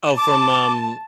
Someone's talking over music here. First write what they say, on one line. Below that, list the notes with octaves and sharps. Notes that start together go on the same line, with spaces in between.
Oh, from, um
A5 D6